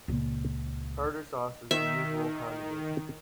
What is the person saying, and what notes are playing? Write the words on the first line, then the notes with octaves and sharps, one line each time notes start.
Tartar sauce is the usual condiment.
C#2 A#2
D#3 E5